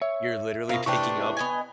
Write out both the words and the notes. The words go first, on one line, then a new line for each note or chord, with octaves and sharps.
you're literally picking up
C#5 E5
B2 F4 A#4 C5 F5
C3 A3 D4 E4 B4 D5 G5 C#6
B3 D#5 G#5